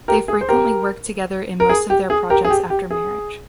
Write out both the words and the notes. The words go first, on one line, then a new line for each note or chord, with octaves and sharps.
They frequently work together in most of their projects after marriage.
G4 A#4
G#4
C5
G4 A#4
A#4
G#4
G4
G#4
G4 A#4
G#4
G4
G4
G#4